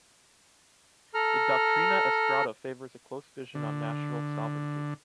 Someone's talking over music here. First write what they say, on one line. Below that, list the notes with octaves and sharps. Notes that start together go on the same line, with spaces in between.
The Doctrina Estrada favors a close vision on national sovereignty.
A4 A#5 F6
D3